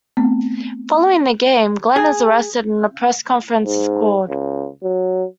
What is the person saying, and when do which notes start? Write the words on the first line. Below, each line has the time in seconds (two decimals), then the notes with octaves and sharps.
Following the game, Glen is arrested and a press conference is called.
0.17 A3 B3 C4
1.96 G#4
3.65 G#2
4.29 C#2
4.83 F#3